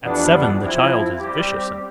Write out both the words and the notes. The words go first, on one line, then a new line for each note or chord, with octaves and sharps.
At seven the child is vicious and a thief.
F2 E3 G3 B3 D4
F3 C4 E4
G3 C4 G4